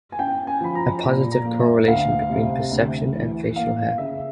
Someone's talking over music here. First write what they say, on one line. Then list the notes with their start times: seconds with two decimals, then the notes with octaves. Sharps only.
A positive correlation between perception and facial hair.
0.12 G#5
0.19 C#4 G5
0.47 G#5
0.61 F3 B5
0.75 A#5
1.03 A#2 B5
1.31 A#5
1.45 A#3
1.60 E5
1.87 D2 F5
2.30 C3
2.71 D2
3.14 E3
3.56 A#3 F5
3.98 C#3 E5